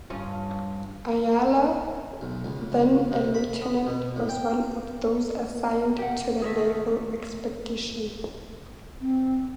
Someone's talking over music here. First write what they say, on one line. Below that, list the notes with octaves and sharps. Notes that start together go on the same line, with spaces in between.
Ayala, then a Lieutenant was one of those assigned to the naval expedition.
G2 C#4 F4
B1
C#2
C#2
C3
B5
B3
B2
A2
G5
C3 G4 F#5
D#3 A3 G#4 A#4 E5
C4